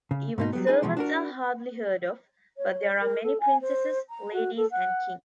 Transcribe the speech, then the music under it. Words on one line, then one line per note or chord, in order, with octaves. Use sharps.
Even servants are hardly heard of, but there are many princesses, ladies and kings.
C#3
G#2 B2 D#4
F#3 G3 B3
D#4 G#4 B4
B2 E3 F3 G#3
D4 F#4 A#4
C#5
A#4
A4
G#5
C5
A#5
F#4
A4
F#5